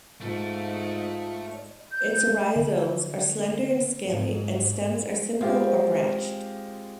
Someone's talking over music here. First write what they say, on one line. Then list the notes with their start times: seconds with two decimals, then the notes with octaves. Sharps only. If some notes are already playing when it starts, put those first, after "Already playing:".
Its rhizomes are slender and scaly, and stems are simple or branched.
0.21 G#2 A3 F4 A4
1.92 G6
2.56 D3
4.08 G#2
5.41 G#3 C4 F4 G4